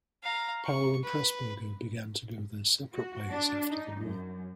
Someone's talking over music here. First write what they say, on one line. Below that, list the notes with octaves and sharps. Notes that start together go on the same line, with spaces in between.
Powell and Pressburger began to go their separate ways after the war.
F5 A#5
C#6
B4
F#4
D4
D#4
F#2